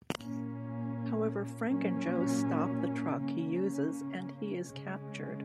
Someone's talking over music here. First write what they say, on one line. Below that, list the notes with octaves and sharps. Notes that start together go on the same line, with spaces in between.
However, Frank and Joe stop the truck he uses and he is captured.
A#2 A#3 C#4
A#2 F#3 A#3 C#4
C#3 A#3 C#4
C#3 G#3 C#4